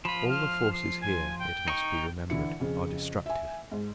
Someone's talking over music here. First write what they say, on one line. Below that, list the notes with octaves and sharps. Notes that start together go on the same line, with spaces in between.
All the forces here, it must be remembered, are destructive.
F3 F4 B5
F6
C7
G#5
G5
D#4 C#6
D3 E3 E4 C#7
F2 C#3
E5 G#5
G#2